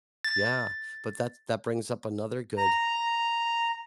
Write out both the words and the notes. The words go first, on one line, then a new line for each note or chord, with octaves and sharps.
Yeah, but that that brings up another good
A6
A#5